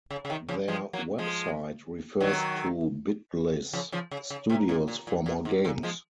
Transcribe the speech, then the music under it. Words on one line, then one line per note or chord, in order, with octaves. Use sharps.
Their website refers to Bitbliss Studios for more games.
C#3
C#3
C3 D#3
C#3 F3
F3 G#3
F#3 A#3
F3 G#3
D#3 F#3
C#3 F3
C#3 F3
C#3
C#3
C3
A#2
A#2
A#2
A#2
G#2
A#2
F3 G#3